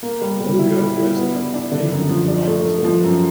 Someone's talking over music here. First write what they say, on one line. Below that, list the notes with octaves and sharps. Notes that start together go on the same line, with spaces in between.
A little girl dressed in pink and white is walking.
A#3
G3
G3
E4
G3
E4
B3
D4
D4
D3
F#2
F3
D4
A3
A3
F3
F#2